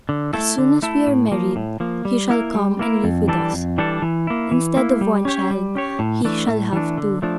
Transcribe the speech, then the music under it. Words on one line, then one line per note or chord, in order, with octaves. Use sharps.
As soon as we are married, he shall come and live with us, instead of one child, he shall have two.
D3
A3 E4 A4
D3
A3 E4 A4
A2
F3 A#3
A2
F3 A#3
G3
A#3 E4 A#4
G3
A#3 E4 A#4
F2
E3 G3 D4 A4
F2
E3 G3 D4 A4
E3
A#3 E4
E3
A#3 E4
G3
C#4 G4 C#5
G3
C#4 G4 C#5
A2
E3 A3 D4
A2
E3 A3 D4
D3
F3 A3 D4